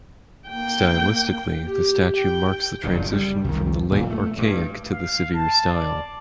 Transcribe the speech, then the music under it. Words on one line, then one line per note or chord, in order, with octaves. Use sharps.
Stylistically the statue marks the transition from the late archaic to the Severe Style.
A#3 G5
G4
G5
F#1 G2 A#2
G3
C2 D#3
D1 A#2
A3
G2
F5
A5
D5